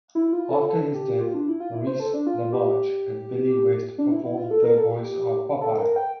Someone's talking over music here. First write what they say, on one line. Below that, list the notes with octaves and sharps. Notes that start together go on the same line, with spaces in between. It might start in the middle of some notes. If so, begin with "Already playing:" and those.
After his death, Maurice LaMarche and Billy West performed the voice of Popeye.
E4
F4
A4
A4
G4
F4
D4
E4
F4
E4
C5
A4
D4
F4
G4
D4
E4
E4
F4
A4
A#4
A4
G4
A4
A#4
G5